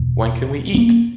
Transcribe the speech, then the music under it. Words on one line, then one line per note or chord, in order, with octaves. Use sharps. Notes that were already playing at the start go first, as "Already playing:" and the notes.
When can we eat?
Already playing: F#1 E2 B2
B3
A#3